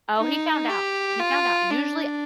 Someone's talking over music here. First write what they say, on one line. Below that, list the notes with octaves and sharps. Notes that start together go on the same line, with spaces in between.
oh, he found out, he found out. Usually uh,
D#4
G4
F4
D4